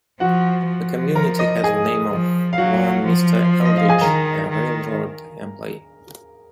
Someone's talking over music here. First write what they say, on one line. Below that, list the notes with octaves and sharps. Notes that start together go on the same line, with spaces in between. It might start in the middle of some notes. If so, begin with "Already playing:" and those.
The community has the name of one Mr. Aldrich, a railroad employee.
F3 F#4 F#5
F3
A#4 A#5
D#5 D#6
G#4 G#5
F3
F5
F#3 F#4 F#5
F3
D#5
F5
G#4 G#5
D#3 A#4 A#5
D#3